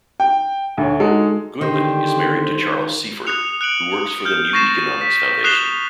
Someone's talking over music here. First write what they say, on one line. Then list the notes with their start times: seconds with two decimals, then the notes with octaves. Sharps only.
Goodman is married to Charles Seaford who works for the New Economics Foundation.
0.20 G5
0.78 D2 C#5
1.00 G#3 D#4 F#4 A4
1.61 D3 D#3 G4 C5
3.27 D#6 F#6 C#7 F7
3.61 F#6 C#7 D7 F#7
4.25 F6 G6
4.53 C#6 A6 A#6 C7 E7
5.01 B6
5.44 D#6 F#6 C7 E7 F7 G7